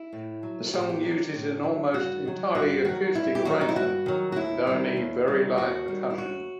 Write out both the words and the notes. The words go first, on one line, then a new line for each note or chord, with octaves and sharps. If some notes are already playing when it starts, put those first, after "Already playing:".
The song uses an almost entirely acoustic arrangement with only very light percussion.
Already playing: E4
A2
F#3
A2 G4
F#4
G4
F#3
A2
F#3
G2 F#4
D#3 F#3
G2 F#4
D#3 F#3 F#4
G2 E4
G4
D#3 F#3 F#4
D#4
E4
G2 F#4
D#3 F#3
F#4
D#2 E4
D#3 G3
D#2
D#3 G3
D#2 F#4
D#3 G3
E4
D#2 F#4